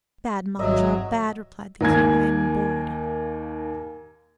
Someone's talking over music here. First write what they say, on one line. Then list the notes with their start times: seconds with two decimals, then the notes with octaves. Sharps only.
"Bad, monsieur, bad!" replied the king; "I am bored."
0.59 G#1 F#3 D#5 E5
1.81 D#2 A#3 G#5 G#6